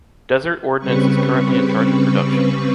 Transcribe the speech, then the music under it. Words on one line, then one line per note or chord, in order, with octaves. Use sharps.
Desert Ordnance is currently in charge of production.
C#3 G3 C4 B4 C#6